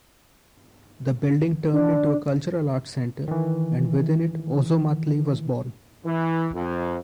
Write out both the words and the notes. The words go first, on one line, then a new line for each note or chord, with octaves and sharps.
The building turned into a cultural arts center, and within it Ozomatli was born.
D4
D#3 E3
E3
F2